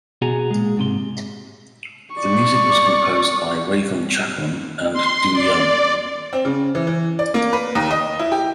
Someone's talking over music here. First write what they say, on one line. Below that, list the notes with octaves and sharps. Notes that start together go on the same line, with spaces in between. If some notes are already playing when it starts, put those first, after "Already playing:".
The music was composed by Raven Chacon and Du Yun.
B2 F#4 G#4 G#5 A#5
A#2 G#3
G#2 C3 C6
D5 C#6
C6
D5
C4
C#3
E3
E3
D5
A#3
B4
D#2
D#5
E4
G4